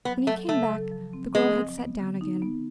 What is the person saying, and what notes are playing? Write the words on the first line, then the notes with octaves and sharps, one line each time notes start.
When he came back the girl had sat down again.
F#3 B3
F#3 A3
C#3 A3
F#3
F3
C4
G#3 C4
F3
B3
D3
D#4
B3